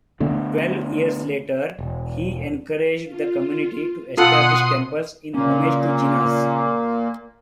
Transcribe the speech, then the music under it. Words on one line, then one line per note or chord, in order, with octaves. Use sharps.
Twelve years later, he encouraged the community to establish temples in homage to Jinas.
D3 A3 B3 D4
E1
F4
B2 F4 A4 F#5 C6 D#6
A#2 C#3 A#3 C#4